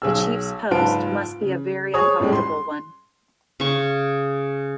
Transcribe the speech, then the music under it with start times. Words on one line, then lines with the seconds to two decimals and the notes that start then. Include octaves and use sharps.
The chief's post must be a very uncomfortable one.
0.02 B1 G#4 E6
0.71 F#1 G#2 F4 B4 A5 D7
1.41 C#3
1.94 G#4 C#5 C#6 D#6
2.20 F#2 A2 G3 G#3
2.32 C6
3.60 C#3 C#6